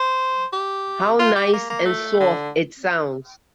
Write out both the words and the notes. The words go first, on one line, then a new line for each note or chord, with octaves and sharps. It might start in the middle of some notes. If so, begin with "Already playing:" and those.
How nice and soft it sounds!
Already playing: C5
G4
F4
G4
A#3
A#3
A3
D3